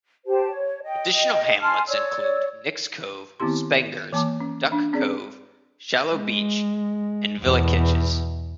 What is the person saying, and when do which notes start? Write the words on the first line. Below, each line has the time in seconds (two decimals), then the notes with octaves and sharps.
Additional hamlets include Nick's Cove, Spengers, Duck Cove, Shallow Beach, and Vilicichs.
0.26 G4 C5 A5
0.50 C#5
0.83 D#5 G5
1.62 G#5 A5 C6 F6
1.88 C#5 D5 E6
3.40 D#3 B3 C4 E4 G4 C6
4.13 E3 A#3 A5 D6
4.40 C#4
4.72 D4
4.93 C4 C#4 G#4 D5
6.12 G#3
7.41 E2 B2